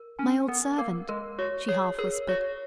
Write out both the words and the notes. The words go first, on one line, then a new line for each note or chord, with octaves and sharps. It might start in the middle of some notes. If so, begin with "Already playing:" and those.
"My old servant," she half whispered.
Already playing: A#4
C#4 G#5
B3 A#4
A#3 A#4
G#3 A#4
F#4 C#5
G#4 C#5
G#4 A#4
F#4 C#5